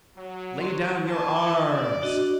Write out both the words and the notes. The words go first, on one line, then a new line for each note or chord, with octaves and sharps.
"Lay down your arms!"
F#3
C5 C6 C#6
A#3 G#5 A5
D5
D4 F#4 D#5